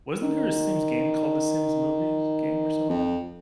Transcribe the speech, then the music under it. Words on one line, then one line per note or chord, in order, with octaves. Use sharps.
Wasn't there a Sims game called the Sims movies game or something?
D#3
F2